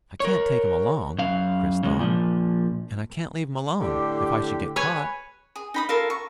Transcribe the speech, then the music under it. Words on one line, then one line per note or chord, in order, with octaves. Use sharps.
I can't take him along, Chris thought, and I can't leave him alone, if I should get caught.
A#4 C#5
F#2 F5
C#3 G#3
A#2 F3
A2 D3 G4
B4 C#5 G#5
G#4
D#4 B5 D#6
F4 A4 A#4 F5
C#6